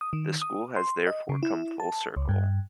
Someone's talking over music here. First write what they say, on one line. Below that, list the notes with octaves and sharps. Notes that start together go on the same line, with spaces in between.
The School has therefore come full circle.
D#6
D#3
D#6
C6
D#5
C#3
E4
A5
C#2
G2